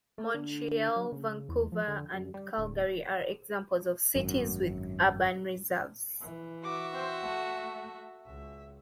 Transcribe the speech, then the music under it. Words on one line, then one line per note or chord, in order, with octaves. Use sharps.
Montreal, Vancouver and Calgary are examples of cities with urban reserves.
A3
D3
F#3
C#3
E2
F3
D3
F#2
G3
D1
G#1 F#2
E3
F#4 E5 D6
C4 C5
A3 F#5
C#2 E5